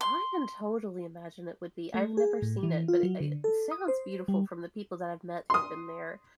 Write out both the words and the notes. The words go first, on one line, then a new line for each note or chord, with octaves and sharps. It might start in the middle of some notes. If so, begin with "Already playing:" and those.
I can totally imagine it would be. I've never seen it, but i it sounds beautiful from the people that I've met who've been there.
C6
A3
G#4
A2
E3
F4
F#3
D3
A4
D#6
C5
G3
C6 D#6